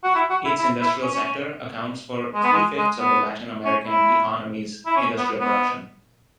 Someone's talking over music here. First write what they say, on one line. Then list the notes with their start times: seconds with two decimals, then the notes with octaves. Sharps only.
Its industrial sector accounts for three-fifths of the Latin American economy's industrial production.
0.04 F#4
0.15 E4
0.30 F#4
0.45 E4
0.59 E4
0.81 E4
1.03 C#4
1.13 C#4
1.24 C#4
2.34 G#3
2.43 B3
2.53 G#3
2.78 G#3
2.99 B3
3.65 C#4
3.87 E4
4.86 E4
4.96 C#4
5.18 B3
5.40 B3